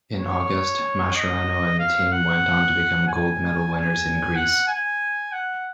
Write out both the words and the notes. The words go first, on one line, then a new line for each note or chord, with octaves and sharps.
In August, Mascherano and the team went on to become gold medal-winners in Greece.
C#5
D#5
F5
F#5
G#5
G#5
F#5
G#5
F#5